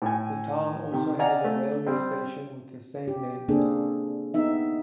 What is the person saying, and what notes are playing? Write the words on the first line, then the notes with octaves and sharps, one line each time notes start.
The town also has a railway station with the same name.
A2 G#5
C3 D#3
D5 D#5 F5 F#5 G#5 A#5
A3
G3 C4
G4
C#3 A#3 C4 D4 G#4 A4
B3 D#4 E5